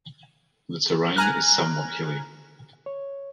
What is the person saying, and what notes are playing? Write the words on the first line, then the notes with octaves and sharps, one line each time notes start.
The terrain is somewhat hilly.
G#5 A#5 F6 F#6
C#5